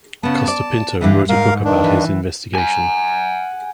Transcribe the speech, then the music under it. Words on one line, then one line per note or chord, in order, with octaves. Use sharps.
Costa Pinto wrote a book about his investigation.
C#3 B3 A5
D5
G2 D3 E3
G#2 A#4 F5
G2 D#3 D4
E3
F#5 G#5